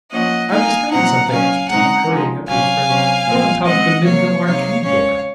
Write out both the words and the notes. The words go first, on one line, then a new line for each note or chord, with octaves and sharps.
"I've discovered something," answered Tom, hurrying up to his friend. "We're on top of the Middleville Arcade building."
F3 A#3 C#4 D#5 F#5
D#3 A#3 D#4 F5 G#5
A#2 F#3 C4 D#4 F#5 A#5
C#3 F#3 C#4 F5 G#5
C#3 G#3 C4 D#4 F#5 A#5
C#3 F3 G#3 D#4
C3 F#3 C#4 F5 G#5
C3 F#3 C#4
A#2 F3 C4
C#3 G#3 C4 D#5 F#5
C3 F#3 A#3 C#5 F5
C3 F#3 C4 D#4 C#5 F5
C#3 G#3 C#4 C#5 F5